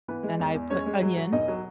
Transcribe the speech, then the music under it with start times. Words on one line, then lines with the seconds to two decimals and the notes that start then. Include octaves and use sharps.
and I put onion
0.08 E3 B3 B4
0.23 G#3
0.39 E2
0.54 E2
0.70 G#3 C#4 C#5
0.86 G#3
1.02 F#3
1.17 F#3
1.33 E1 D#4 D#5
1.48 F#3